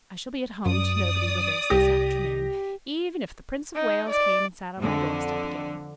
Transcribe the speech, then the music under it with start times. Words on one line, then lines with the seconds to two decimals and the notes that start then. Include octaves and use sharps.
I shall be at home to nobody, Withers, this afternoon, even if the Prince of Wales came and sat on my doorstep again.
0.66 F#2 D5 D#6
1.70 C2 G4 A#6
3.75 D#4
4.08 D5
4.78 F2 D3